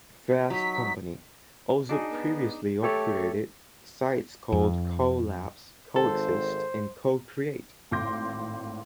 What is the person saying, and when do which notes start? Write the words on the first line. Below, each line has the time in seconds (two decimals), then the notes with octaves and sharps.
"Fast Company" also previously operated sites called Co.Labs, Co.Exist, and Co.Create.
0.50 F#3 D#4 B6
1.89 D4 D#4 F#4 G#4
2.11 B3
2.83 A3 G4 A4 C#5
4.52 F2
5.96 G#1 A4 C5
7.91 G#1 A2 C6 D6 G6 A#6